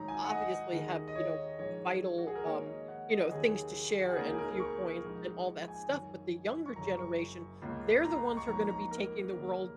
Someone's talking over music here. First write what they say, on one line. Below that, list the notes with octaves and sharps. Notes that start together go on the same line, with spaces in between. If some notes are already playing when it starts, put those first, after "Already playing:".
obviously have, you know, vital, um, you know, things to share and viewpoints and all that stuff, but the younger generation, they're the ones who are gonna be taking the world
Already playing: G#1 G#2 F#3 D#4 A#5
G#5
F#5
D#5
D#2 D#3 G#3
D#5
C#5
A#1 G#2 G#3 C#4 C#5
F#4
G#4
A#4
G#2 D#3 A#3 C#4 C#5
D#5
F#5
D#5
D#2 C#3 F#3 G#4
F#4
G#4
C#2 C#3 A#3 D#4 A#4
G#4
A#4
A#4
C#6
A#1 G#2 G#3 D#4
G#5
G#1 F#2 F#3
C#6
F#1 F#2 C#3 A#5
C#6
C#2 C#3 A#3
A#5
C#6
A#1 G#2 F#3 A#3 A#5
A#5
A#4
D#2 C#3 A#3 D#4